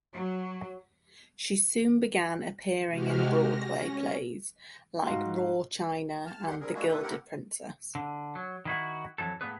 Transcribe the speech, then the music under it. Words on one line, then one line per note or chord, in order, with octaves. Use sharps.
She soon began appearing in Broadway plays like "Roar China" and "The Gilded Princess".
F#3
C3 G#3 F#4 G4 F6
A#6
C#4
G#2 F#4 F5 C6
A5 F6
E2 D3 A3 G4 F#5 C6
D3 G3 C4 G#4 A#4
G#3 A#3 D4 E4 F#4 G#4
B2 A3 D4 E4 A4 B4
A3 C4 E4 G4 A#4 F#5
D3
F#3
D#3 E4 F#4
F2 E3 F#3 A4
A2 A#3 B3 G#4 B4